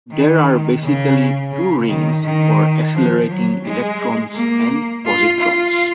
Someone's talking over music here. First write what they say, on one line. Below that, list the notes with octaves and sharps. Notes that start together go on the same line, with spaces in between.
There are basically two rings for accelerating electrons and positrons.
D#3
C#3
C#3
D#3
D#3
F3
F#3
G#3
A#3
F4
F4